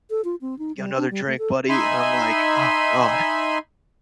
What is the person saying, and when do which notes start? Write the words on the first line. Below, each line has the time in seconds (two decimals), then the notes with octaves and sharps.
"Get another drink, buddy." And I'm like, "Oh god."
0.10 A4
0.25 F4
0.41 C4
0.59 D#4
0.77 G3
0.97 D4
1.10 G3
1.27 A3
1.39 A4
1.69 D#4 E5 G#5 B5 C6